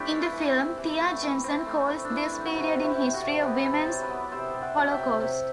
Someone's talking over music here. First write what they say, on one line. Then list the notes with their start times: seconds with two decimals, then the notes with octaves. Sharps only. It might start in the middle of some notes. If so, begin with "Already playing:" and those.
In the film, Thea Jensen calls this period in history a "Women's Holocaust".
Already playing: A3 C4 D4 E4 G4
0.11 E3
0.33 E3
0.56 C4
0.77 E3
0.99 A3
1.22 E3
1.44 C4
1.66 A3
1.88 C4
2.05 D4
2.10 E3 E4
2.33 A3
2.46 F#4
2.55 C3 E4
2.77 C3
2.84 E4 G4
2.99 C3
3.14 F#4 A4
3.22 C3
3.43 B3 G4 B4
3.65 C3 B4
3.73 A4 C5
3.88 F#3
4.02 B4 D5
4.10 B3
4.24 D5
4.32 C3 C5 E5
4.54 C3
4.62 D5 F#5
4.77 F#3
4.91 E5 G5
4.99 C3
5.21 C3